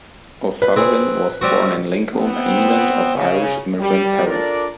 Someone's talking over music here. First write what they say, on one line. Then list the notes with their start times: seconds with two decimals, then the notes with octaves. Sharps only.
O'Sullivan was born in Lincoln, England of Irish immigrant parents.
0.62 B4
0.76 C4 G#4
1.41 G3 C4 F#4
2.13 B3 C4
3.15 C#3
3.80 G3
4.26 D4 F4 A4 A#4 D5